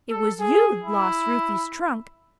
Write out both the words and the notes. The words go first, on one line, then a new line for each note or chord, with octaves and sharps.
It was you lost Ruthie's trunk.
A4
G#4
E4